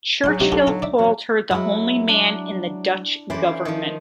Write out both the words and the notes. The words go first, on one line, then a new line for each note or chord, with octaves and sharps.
Churchill called her "the only man in the Dutch government".
F#3 E4 G#4 F#5 C6
C3 D4 D#4 F4 G4
F4 G4 A4
F4 A4
D5 E5
E2 F#3 C#5
F#3 G#3 E4
D4
E3 C#4 A4 C5 D5
D#3 F3